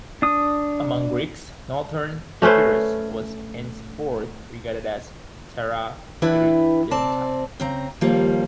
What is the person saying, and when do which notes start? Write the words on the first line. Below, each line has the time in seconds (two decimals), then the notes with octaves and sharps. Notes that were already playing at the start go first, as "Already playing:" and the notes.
Among Greeks, northern Epirus was henceforth regarded as "terra irredenta".
0.22 D4 D#6
2.42 A3 C#4 B4 C5
6.22 E3 D4 E4 B4 G5
6.91 C3 C4 D5 A5
7.60 C#3 C4 A#5
8.01 D#2 F3 G3 A#3